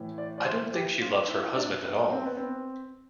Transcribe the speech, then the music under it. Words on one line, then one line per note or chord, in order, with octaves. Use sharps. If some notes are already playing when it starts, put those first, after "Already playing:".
I don't think she loves her husband at all.
Already playing: A2 E3
D5
D5
C5
G4
F4
F4
E4
D4
B3
C4
B3
C4